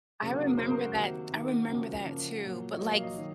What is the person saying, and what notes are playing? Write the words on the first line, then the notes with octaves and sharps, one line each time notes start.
I remember that t I remember that, too, but, like, v
C#3 F#3 A#3 G#4
F#4
A#4
C#3 F#3 A#3 C5
A#4
F#4
C3 D#3 A#3 F#4
C3 D#3 A#3
C#3 F3 A#3 F#4
C#3 F3 A#3
A#2 F#3 A#3
C#5
A#2 F#3 A#3 D#5
F5
D#5
D#3 F#3